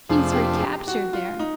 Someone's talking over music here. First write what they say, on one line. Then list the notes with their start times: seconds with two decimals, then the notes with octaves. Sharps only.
He's recaptured, there!
0.09 F2 C3 F3 A3 D4 G#4
0.32 G#4
0.35 G4
0.56 G#4
0.62 G4
0.88 F#4
1.13 F4
1.39 D#4